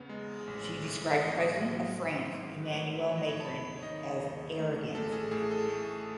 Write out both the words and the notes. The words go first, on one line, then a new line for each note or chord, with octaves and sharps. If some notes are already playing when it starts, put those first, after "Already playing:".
She described President of France Emmanuel Macron as "arrogant".
Already playing: E2 C#3 B3
G#3
A1
A2
B3 D#5
F#3
G#1
G#2
B4
A3 C#5
D#3 C#5
D#5
C#5
A5
D#2 B5
C#5
D#3 D#5
D#2
A3
A1 A4
G#4
A2 G#4
A4
A3